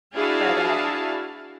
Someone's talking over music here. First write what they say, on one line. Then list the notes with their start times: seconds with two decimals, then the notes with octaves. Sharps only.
but, um
0.13 D4 E4 F#4 G#4 F5 A5